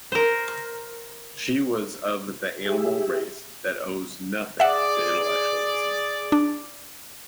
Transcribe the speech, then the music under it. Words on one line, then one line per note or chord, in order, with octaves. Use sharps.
She was of the animal race that owes nothing to intellectualism.
A#4 C5
G4 G#4 E5
G#4 D5 E5 F#5
D4